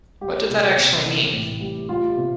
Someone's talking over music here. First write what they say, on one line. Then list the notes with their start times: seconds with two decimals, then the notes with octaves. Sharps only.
What did that actually mean?
0.21 G3 G4
0.50 C3
0.77 C3
1.06 E3
1.33 A2
1.60 G3
1.89 G3 F4
2.17 C3